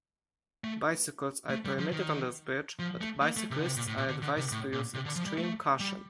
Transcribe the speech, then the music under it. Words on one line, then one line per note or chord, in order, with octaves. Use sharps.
Bicycles are permitted on this bridge, but bicyclists are advised to use extreme caution.
A3
A3
G3
F3
D#3
F3
A3
A#3
A3
C3
D3
C3
A#2
A2
A#2
D3
D3
C3
A2
A#2
C3
D3
F3
G3
A3
G3